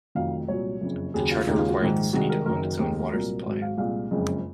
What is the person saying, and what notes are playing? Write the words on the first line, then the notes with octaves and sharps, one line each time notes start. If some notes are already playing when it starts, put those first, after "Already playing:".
The charter required the city to own its own water supply.
F1 F2 D#3 F#3 F5
C2 A#2 F#3 C#5
F#1 F2 C#3
D#2 C#3 F#3 G#4
F4
D#2 C#3 G#3 D#4
F4
F#4
A#1 G#2 D#3
C2 C3 D#3 G#3 F#4
A#4
F#1 F#2 D#3 F#3 A#4
F1 D#2 D#3 G#3
C2 A#2 F#3 A#4
G#1 G#2 F#3
F5
C2 A#2 G#3 F5
F#1 F2 C#3 F3 G#3